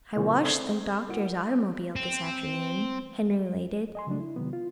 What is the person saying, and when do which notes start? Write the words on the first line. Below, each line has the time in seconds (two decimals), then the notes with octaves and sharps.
"I washed the doctor's automobile this afternoon," Henry related.
0.16 A#2 C#3 E3 F#3 C4
0.43 C4 A4 D5 D#6 G#6 C7
1.08 A#3 E4 F#4 D7
1.96 C4
3.95 D#5 G#5 C6
4.07 C#3 F3 F#3 G#3 A3 D4
4.20 E4
4.36 C3 D#3 F#3 G#3 B3
4.53 F4